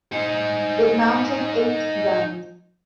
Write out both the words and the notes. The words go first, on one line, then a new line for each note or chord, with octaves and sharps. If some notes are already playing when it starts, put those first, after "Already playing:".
It mounted eight guns.
D#4 C5